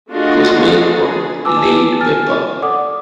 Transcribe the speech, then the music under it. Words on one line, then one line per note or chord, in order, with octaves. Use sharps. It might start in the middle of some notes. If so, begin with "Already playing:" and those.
It was made on laid paper.
A3 D4 F4 F#4 G#4 D#5
G#4
F4 B4 G#5 A5 D6 E6
G#5 F6 A6
A4 D5 F#5 D6 D#6